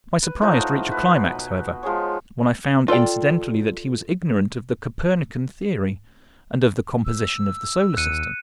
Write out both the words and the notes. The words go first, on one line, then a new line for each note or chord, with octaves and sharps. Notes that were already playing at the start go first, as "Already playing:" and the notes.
My surprise reached a climax, however, when I found incidentally that he was ignorant of the Copernican Theory and of the composition of the Solar System.
B4
A2 F3 D#4 F#4
B4
B2
F3 G#3 G#4 C#5
F4 A4 D5 G5
E6
D#2 F#6 C#7 D#7